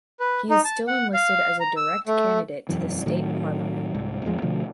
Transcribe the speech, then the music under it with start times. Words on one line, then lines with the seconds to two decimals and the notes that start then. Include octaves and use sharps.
He is still enlisted as a direct candidate to the state parliament.
0.20 B4
0.50 D#4
0.64 A5
0.88 F#5
1.14 F5
1.60 A#5
1.76 E6
2.07 A3
2.69 E1 F#2 E3
3.06 A2 D#3 F#3
3.95 C2 G#2
4.24 A1 E2 F3 G#3
4.42 B2 D3 F3 A3